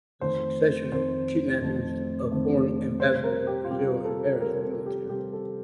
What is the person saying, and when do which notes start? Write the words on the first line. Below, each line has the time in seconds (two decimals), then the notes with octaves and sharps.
The succession of kidnappings of foreign ambassadors in Brazil embarrassed the military government.
0.21 F2 D#3 A3 C4 C5
0.92 F2 D#3 A3 C4 C5
1.61 F2 D#3 A3 C4
2.31 F2 D#3 A3 C4
3.00 C3 G3 C4 C5
3.24 A#4
3.47 G4
3.65 F4
3.70 C3 G3 C4 G4
4.05 A4
4.40 C3 G3 C4 A#4
4.55 A#4
4.62 A4
4.86 G4
5.09 C3 G3 C4 G4
5.33 A4